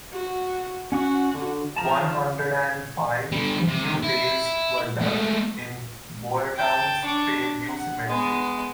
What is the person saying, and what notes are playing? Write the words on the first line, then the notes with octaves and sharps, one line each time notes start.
One hundred and five new graves were dug in Boyertown's Fairview Cemetery.
F#4
C#4 F#4 F#5 C#6
D3
F3 A5 A#5
D3 G3
C3
E4
G#3 A3
G5 A5
D4 C#6
F#5
G#3 B3